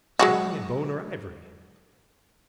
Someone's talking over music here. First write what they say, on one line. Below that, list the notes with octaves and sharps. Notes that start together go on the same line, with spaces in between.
"Something in bone or ivory."
F#3 G#3 F#4